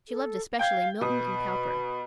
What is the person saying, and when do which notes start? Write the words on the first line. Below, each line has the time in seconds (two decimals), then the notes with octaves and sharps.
She loved especially Milton and Cowper.
0.09 A4
0.59 F5 G5 G6 G#6
1.01 B2 B5 D#6